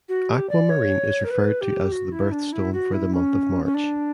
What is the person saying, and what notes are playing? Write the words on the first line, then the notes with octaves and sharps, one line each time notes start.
Aquamarine is referred to as the birth stone for the month of March.
F#4
G4
D5
C#5
A#4
B4
G4
F#4
E4
D4
E4
F#4
E4
C#4
C#4
D4